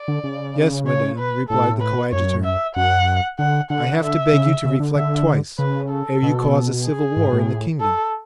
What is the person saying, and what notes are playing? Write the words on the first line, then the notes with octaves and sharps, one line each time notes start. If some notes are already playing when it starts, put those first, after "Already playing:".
"Yes, madame," replied the coadjutor; "I have to beg you to reflect twice ere you cause a civil war in the kingdom."
Already playing: D5
D3
C#3
C#5
B4
A2 A4
B4
F#2 C#5
E5
F#2 F#5
D3 F#5
D3 F#5
E5
C#3
C#3
D3
D3 E5
C#3 B4
A4
B2
G#4
G#2
A2
A4